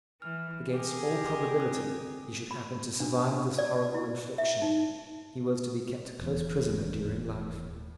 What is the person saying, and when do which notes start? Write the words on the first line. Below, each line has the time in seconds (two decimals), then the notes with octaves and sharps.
If, against all probability, he should happen to survive this horrible infliction, he was to be kept close prisoner during life.
0.22 E3 F6
0.72 G4 G#4 A#4
1.56 C4 D#6
2.51 B5
3.00 D4
3.58 D5
3.94 E4
4.38 E5
4.62 D#4
6.19 D#1 E2